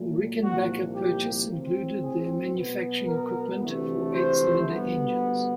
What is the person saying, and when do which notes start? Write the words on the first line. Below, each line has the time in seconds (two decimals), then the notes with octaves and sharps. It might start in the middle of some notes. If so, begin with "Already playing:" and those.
The Rickenbacker purchase included their manufacturing equipment for eight-cylinder engines.
Already playing: A#2 F#3 A3
0.42 C2 A#2 F3 A#3 F#4
0.94 G4
1.47 A2 F#3 A3 C4
2.01 G#4
2.53 B2 F#3 B3
3.07 A#4
3.60 D2 C3 E3 A3
4.12 C5
4.66 D2 D3 G3 B3